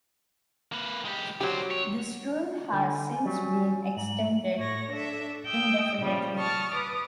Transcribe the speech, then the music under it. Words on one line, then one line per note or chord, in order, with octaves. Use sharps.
This rule has since been extended indefinitely.
A#3 B4
G#3 G4
F#3 G3 G4 C5
C#5
D3 G#5
F#3 G3
G#2 F#7
A2 C#5 C#6 A#6
D4 A4 E5
G5 D#6 E6
A#2 C#3 F3 G3
A5 C#6 D#6 F6 A6
B4 D6 D#6